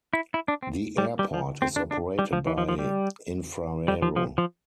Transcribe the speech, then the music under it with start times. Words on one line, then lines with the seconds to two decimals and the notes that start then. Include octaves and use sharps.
The airport is operated by Infraero.
0.13 E4
0.34 E4
0.48 D4
0.63 C4
0.98 G3
1.19 G3
1.34 F3
1.62 C4
1.76 D4
1.91 D4
2.19 G3
2.33 F3
2.47 E3
2.58 F3
2.69 F3
2.79 G3
3.88 G3
4.02 F3
4.16 F3
4.38 F3